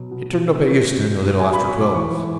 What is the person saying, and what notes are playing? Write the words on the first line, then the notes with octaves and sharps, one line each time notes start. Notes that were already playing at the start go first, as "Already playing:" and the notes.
He turned up at Euston, a little after twelve.
Already playing: B2 F#3
B2
B2
A3
B2
B2
F#3
F#3
F#3 G#5
B2 B5
C#6
A3 D6
E3 C#6
G#2